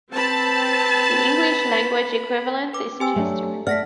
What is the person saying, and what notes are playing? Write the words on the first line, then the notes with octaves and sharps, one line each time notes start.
The English-language equivalent is Chester.
C4 B4 A5 B5
B4 D6
C4 G4 G#5 E6
F#3 A3 D4
A3 D5 F#5 F6 A#6 B6